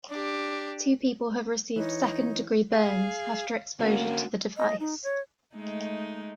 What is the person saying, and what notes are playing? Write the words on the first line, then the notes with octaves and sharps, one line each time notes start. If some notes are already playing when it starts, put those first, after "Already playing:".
Two people have received second degree burns after exposure to the device.
D4 G4
E3 D#4 C#5
G#4 F5
D3 A#3 C#4 F#4
D#5
D#4
C#5
G#3 A3 D#4